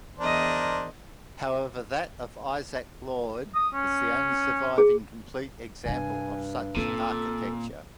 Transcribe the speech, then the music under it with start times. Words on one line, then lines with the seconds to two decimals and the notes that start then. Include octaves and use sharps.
However that of Isaac Lord is the only surviving complete example of such architecture.
0.18 E2 D4 A#4 C5 D#5
3.55 D#6
3.74 C#4
4.78 G#4
5.86 G2 C3 G3 G#5
6.76 A#2 C4 C#4 A4